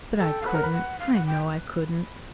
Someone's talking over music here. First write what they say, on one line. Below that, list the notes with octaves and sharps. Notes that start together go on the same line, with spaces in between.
But I couldn't, I know I couldn't.
A4 G5
F5
B4 F#5
A#4
B4
F#5
F5
F#5
G5